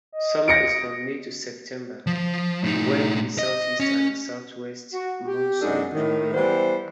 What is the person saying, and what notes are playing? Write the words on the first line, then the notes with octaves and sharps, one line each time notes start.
Summer is from May to September, when the southeast and southwest monsoon prevailing.
D#5
A#6 C#7 D7
F3
A2 D#4
D#5
C#4
F#4
G4
F#2 G#3 D4 D#4 A4
A2 D#3
E3 G3 B3 E4 C5